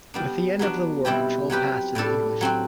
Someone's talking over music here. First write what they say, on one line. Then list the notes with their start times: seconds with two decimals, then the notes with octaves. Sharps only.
With the end of the war control passed to the English.
0.14 G3 B3 D4
0.59 F#3 B3 D4 F#4
1.05 B2 G3 C4 E4 G4
1.50 F#3 C4 G4 B4
1.95 A2 G3 D4 A4
2.41 F#3 C4 F#4